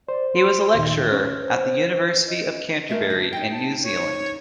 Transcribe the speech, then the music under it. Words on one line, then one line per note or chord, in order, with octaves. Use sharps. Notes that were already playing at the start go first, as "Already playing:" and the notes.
He was a lecturer at the University of Canterbury in New Zealand.
C5 D5
C6
D#2 A#2 D#3
C#4 B4 F6
C5
D#5
G#3 A3 A#4
D3
D#4 G5
A5
C#5